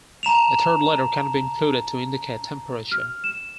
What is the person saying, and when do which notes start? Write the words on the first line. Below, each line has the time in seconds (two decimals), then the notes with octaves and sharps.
A third letter can be included to indicate temperature.
0.23 A5 A#5 E7 F7
2.92 F6
3.24 E7